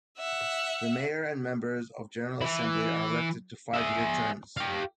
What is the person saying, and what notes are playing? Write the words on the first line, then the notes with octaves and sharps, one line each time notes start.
The mayor and members of General Assembly are elected to five-year terms.
E5 F#5
E3 E4
G#4 E5
G4 F5